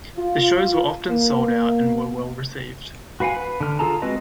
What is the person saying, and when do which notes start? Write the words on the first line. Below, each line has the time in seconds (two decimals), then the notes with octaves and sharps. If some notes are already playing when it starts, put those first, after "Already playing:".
The shows were often sold out and were well received.
0.16 F4
1.10 A#3
3.20 F#4 B4 F5 F#5 G#5
3.37 B4
3.60 D3 F6
3.79 F4 G#4 A4 A5 A#5
4.02 G#3 C4 F#4 B4 D#5